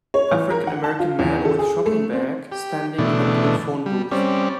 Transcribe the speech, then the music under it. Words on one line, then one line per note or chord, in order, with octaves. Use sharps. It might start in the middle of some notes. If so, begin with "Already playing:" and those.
African American man with shopping bag standing in a blue phone booth.
C#5
E3
A#4
F#5
A5
F4
E2
A4
G#4
A3
C4
G4
B2 E3 A3 D4
G3
G3 C4 C#4 D5